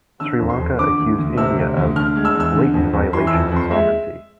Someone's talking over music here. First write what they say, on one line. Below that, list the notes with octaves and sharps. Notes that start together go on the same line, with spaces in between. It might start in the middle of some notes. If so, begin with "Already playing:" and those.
Sri Lanka accused India of "blatant violation of sovereignty".
D3 E6
F2
C6
F2
D3 D6
D2
D2
C3 E6
D2
D2
D3 F6
G#3
E6
E2
E6
D3
F2
F2
E3 C6
E6
F2
F2 C6
G#3 E5